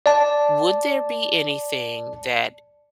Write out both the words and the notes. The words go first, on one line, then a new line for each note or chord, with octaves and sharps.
would there be anything that
D5 A5